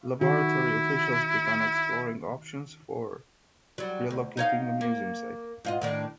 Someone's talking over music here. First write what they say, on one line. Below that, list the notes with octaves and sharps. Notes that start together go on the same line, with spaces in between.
Laboratory officials began exploring options for relocating the Museum site.
D#3 E4 F#4
F#3 G3
D2
D#4 C#5 F5
A#3
G#2 F4 D#5
A2 D#3 D4